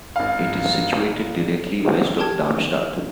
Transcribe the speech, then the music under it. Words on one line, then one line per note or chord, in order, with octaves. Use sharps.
It is situated directly west of Darmstadt.
G#1 F5
G4 A#4 G5 A5 G#6